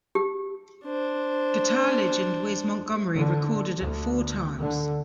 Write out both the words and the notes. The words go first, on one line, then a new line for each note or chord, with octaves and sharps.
Guitar legend Wes Montgomery recorded it four times.
G4
D4 C5
D3
D2
D3